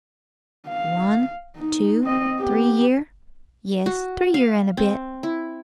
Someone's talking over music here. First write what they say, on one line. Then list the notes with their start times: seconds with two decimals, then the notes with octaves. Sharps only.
"One, two, three year; yes, three year and a bit."
0.68 F5
1.57 D#4
2.04 C4 D#5
2.40 B3 G4
3.86 F#4
4.34 F5
4.77 C4
5.23 E4